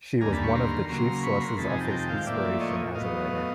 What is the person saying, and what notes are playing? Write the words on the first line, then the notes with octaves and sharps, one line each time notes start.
She was one of the chief sources of his inspiration as a writer.
D#2 D3 G3 A#3 G#5 A#5
A5 B5
B5 C#6
A#5 C6
C#3 F#3 A#3 A#5 C6
B5 C#6
A#5 C6
F2 C3 D#3 G#3 A5 B5
G#5 A#5
G5 A5
A#5
G5 A5
F5 G5
A2 F3 A#3 D5 E5
C#5 D#5
A2 F#3 B3 D#5 F5